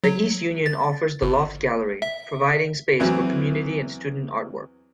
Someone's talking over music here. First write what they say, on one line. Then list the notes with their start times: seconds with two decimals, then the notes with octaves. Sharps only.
The East Union offers the Loft Gallery, providing space for community and student artwork.
0.04 F#3
0.66 A6
1.22 G1
2.02 E5
3.00 E2 E3 F#3 C4